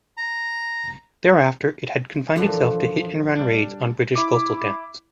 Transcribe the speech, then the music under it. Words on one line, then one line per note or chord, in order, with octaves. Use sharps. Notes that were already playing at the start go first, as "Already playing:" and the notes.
Thereafter it had confined itself to hit-and-run raids on British coastal towns.
A#5
F#2 A#2 D3 E3 F3
G3 D4
E4 D6